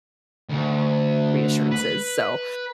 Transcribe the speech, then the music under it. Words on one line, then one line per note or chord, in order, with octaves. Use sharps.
reassurances, so,
D2
B4